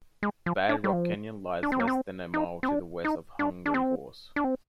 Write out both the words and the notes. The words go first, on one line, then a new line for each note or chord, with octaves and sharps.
Bad Rock Canyon lies less than a mile to the west of Hungry Horse.
G#3
F3
D4
G3
F3
D4
C4
A#3
C4
D#4
C4
D4
D#4
D4
D4
C4
D4
C4